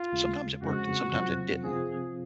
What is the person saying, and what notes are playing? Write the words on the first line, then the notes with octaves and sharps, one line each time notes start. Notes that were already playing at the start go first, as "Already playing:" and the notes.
sometimes it worked, and sometimes it didn't.
Already playing: F4
D#2 C#3 G#3
F2 C#3 G#3 C4 F#4
F2 C3 F#3 C4 F4
C3 F3 C4 F4 G#4